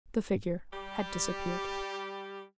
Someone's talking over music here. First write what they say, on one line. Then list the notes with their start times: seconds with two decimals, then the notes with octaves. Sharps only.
The figure had disappeared.
0.73 G3 G4